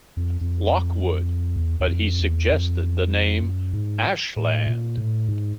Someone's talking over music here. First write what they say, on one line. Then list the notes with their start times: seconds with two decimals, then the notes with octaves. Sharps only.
Lockwood, but he suggested the name "Ashland".
0.17 F2
0.41 F2
1.56 E2
1.80 E2
1.87 F2
2.19 E2
2.50 F2
3.43 F#2
3.73 G#2
4.36 A2
4.67 A#2
4.97 A2
5.28 G#2